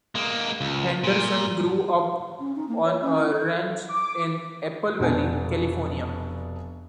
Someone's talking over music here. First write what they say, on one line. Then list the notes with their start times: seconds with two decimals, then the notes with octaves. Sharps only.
Henderson grew up on a ranch in Apple Valley, California.
0.15 G#3 A#3
0.61 C#2
1.04 A#2
2.40 C#4
2.56 D#4
2.69 A#3
2.84 C#5
3.01 C#4
3.17 E4
3.31 A4
3.89 D6
4.99 F1 B2 D4 F#5 G#5